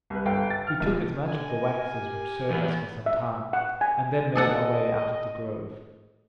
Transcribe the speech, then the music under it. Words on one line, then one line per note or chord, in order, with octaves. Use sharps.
We took as much of the wax as would serve us for some time, and then made our way out of the grove.
C2 B4
G1 A4 B4 F5 G5 C7
G5 A6
F6
B1 A#2 F3
D3 F#5 G#5
A#4 D#5
G4
E2 B3 A#4
E5
F#5
G#5
G#4 A4 D#5 F#5